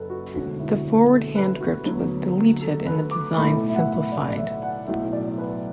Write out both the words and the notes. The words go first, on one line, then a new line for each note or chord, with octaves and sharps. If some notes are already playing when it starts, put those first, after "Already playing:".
The forward hand grip was deleted, and the design simplified.
Already playing: F#1 F#2 A4 B4
F#4
E1 D2 D3 F#4
E4
A4
B4
F#4
D2 D3 F#3 B3
A4
B4
D6
B1 A2 A3 B5
A4
E5
F#5
E5
D5
D5
E5
F#5
B1 A2 F#3 E5
D5
B4